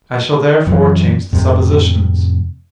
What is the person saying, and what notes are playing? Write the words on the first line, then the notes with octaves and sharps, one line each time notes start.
I shall therefore change the suppositions.
F#2 E3 F3
F2 A2 C3